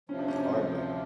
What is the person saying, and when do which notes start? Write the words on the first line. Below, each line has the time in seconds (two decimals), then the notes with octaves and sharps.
The hard way
0.09 D2 C3 F3 C#4
0.19 D4
0.28 C#4
0.38 C4